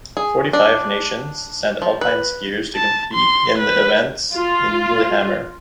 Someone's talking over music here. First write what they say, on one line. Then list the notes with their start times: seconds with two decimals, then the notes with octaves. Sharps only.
Forty-five nations sent alpine skiers to compete in the events in Lillehammer.
0.17 G#4
0.53 D4
1.82 F3
2.01 B4
2.75 A5
3.13 C6
3.58 B4
4.36 F4